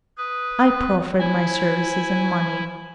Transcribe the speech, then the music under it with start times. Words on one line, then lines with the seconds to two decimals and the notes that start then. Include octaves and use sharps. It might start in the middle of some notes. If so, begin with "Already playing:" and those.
I proffered my services and money.
0.18 B4 D#6
1.20 E4 C5 G#5